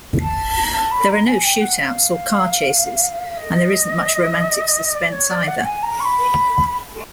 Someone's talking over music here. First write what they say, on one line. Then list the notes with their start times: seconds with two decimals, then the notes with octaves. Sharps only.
There are no shoot-outs or car chases, and there isn't much romantic suspense, either.
0.20 A5
0.62 A#5
0.73 A5
0.91 B5
1.08 A#5
1.26 G#5
1.43 G5
1.61 F#5
1.78 F5
3.36 D#5
4.94 D5
5.12 C#5
5.29 D5
5.47 F#5
5.64 G#5
5.82 A#5
6.00 C#6
6.04 B5